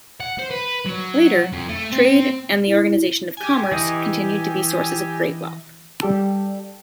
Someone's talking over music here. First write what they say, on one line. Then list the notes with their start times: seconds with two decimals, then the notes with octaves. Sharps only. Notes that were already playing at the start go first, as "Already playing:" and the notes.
Later, trade and the organization of commerce continued to be sources of great wealth.
0.20 F#5
0.39 C5
0.51 B4
0.86 F#3
1.53 F2
1.69 A3
1.92 C4
2.67 E4
3.37 G4 G#5
3.72 E3 D#5
6.02 G3 G4 A4